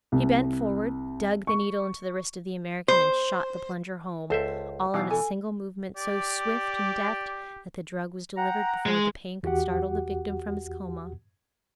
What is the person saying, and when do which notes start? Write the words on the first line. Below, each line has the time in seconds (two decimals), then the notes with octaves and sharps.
He bent forward, dug the needle into the wrist of the American and shot the plunger home, all in a single movement so swift and deft that the drug was delivered before the pain could startle the victim from his coma.
0.12 C2
1.47 C#6
2.88 C5
4.30 C#2 A4 C5 E5 A5
4.94 B2 E3 D#4 G4 F5
5.10 A4 G#5
5.97 G4 D5
8.37 F#5 G5 A#5
8.86 G#3
9.43 E2 F#4 G4 F#5